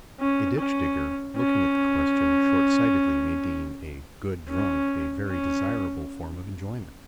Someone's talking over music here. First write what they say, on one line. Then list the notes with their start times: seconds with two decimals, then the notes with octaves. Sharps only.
A ditch-digger, looking at the question short-sightedly, may deem "a good drunk" a very desirable form of enjoyment.
0.20 C#4
0.58 C#4
1.37 C#4
4.49 C#4
5.28 C#4